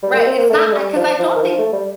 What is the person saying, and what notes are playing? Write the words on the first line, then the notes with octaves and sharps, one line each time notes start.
Right, it's not I 'cause I don't think
G3
A#3
C4
A#3
A3
A3
G3
F3
F3
D#3
F3
A3
G3